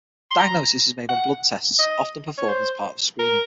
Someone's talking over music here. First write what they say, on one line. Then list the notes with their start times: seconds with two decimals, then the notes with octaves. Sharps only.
The diagnosis is made on blood tests, often performed as part of screening.
0.31 C6
0.39 A#5
1.09 F#5
1.79 D#5
2.38 C#5
2.49 C5
3.19 A#4